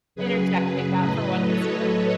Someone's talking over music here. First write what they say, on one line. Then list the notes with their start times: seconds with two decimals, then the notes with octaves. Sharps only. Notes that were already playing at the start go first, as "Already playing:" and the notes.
interjecting that for what it's worth.
0.15 F#2 C#3 F#3 G#4 B4
1.01 A2 F#3 B4 D#5
1.45 A4 C#5